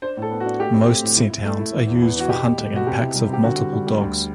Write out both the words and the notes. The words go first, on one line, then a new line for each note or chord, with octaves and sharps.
Most scent hounds are used for hunting in packs of multiple dogs.
D4 C5
A2 A4
B3
F#4
D4
A3 G4
C4
A3
A2
E4
E4
A3
E4
E3
E2
B3
E3 F#4
B2 G4
B2
A3
B2 F#4
C3 G4
E4
G3
C4 G4
D3 F#4
G3
G3
G3
D2